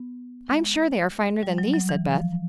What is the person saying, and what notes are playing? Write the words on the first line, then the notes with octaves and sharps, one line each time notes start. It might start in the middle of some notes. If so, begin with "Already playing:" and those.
"I'm sure they are finer than these," said Beth.
Already playing: B3
G#3
G3
F#3
F#3
E3
F3